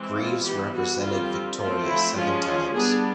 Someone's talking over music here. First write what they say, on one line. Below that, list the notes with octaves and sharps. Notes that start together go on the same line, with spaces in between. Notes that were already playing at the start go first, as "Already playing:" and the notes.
Greeves represented Victoria seven times.
Already playing: E3 G#3 C4
F4
E3 G3 B3 G4
F#4
D3 G3 C4 F4
F3 A3 C4 F4
E4
F3 G#3 C#4 F4
F4
G3 B3 D4 G#4